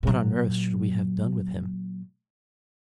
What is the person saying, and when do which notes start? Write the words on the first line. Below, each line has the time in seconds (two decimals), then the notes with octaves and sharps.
"What on earth should we have done with him?"
0.03 A#2 F#3